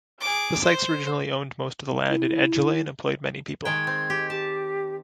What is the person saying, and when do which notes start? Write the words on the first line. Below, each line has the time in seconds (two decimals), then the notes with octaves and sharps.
The Sykes originally owned most of the land in Edgeley, and employed many people.
0.21 G#4 D6
0.63 C5
2.09 E4
3.65 D#3 G#3 G5 G#6
3.87 C4
4.10 G4
4.30 G4 A5